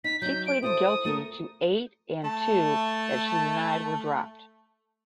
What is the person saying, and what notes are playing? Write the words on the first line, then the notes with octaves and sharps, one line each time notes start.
She pleaded guilty to eight and two that she denied were dropped.
D#4 B6
F#3 D#4 G6
D7
E4 A4 C5 D#6
A3 A4 A#4
A3 A5